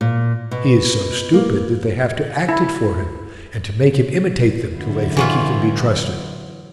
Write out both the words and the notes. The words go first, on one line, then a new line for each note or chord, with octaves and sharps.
He is so stupid that they have to act it for him, and to make him imitate them till they think he can be trusted.
A#2
B2
A#3
E4
F#2 D3 E4
E3 F#3 F4